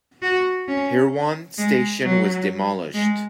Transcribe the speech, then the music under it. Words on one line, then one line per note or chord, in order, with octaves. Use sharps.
Hirwaun station was demolished.
F#4
C#4
G#3
F#3
G#3